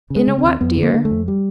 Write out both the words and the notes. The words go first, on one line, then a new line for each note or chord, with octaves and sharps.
"In a what, dear?"
C#3
G#3
C#3
C4
D#2
F2 B3
D3
A#3
D3
A3
F2
G3